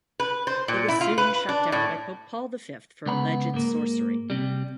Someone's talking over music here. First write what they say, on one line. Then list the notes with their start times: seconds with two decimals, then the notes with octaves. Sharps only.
It was soon shut down by Pope Paul the Fifth for alleged sorcery.
0.20 B4
0.47 C5
0.68 A#2
0.88 E4
1.01 F4
1.18 B4
1.49 D4
1.72 A2
3.06 C#2 B3 A#5 B5
3.54 G#2 A#3
4.30 C3 G3